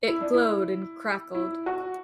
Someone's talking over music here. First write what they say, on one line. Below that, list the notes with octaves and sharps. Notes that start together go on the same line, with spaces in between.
It glowed and crackled.
E4
D4
E4
E4
F#4